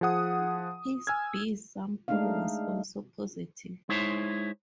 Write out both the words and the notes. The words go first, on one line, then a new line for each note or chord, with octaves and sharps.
His "B" sample was also positive.
F3 G#4 F#5 D#6
G#5 E6 F6 G#6
G#3 A3 D4 D#4 F5
G#3 D#4 E4 C5 C#5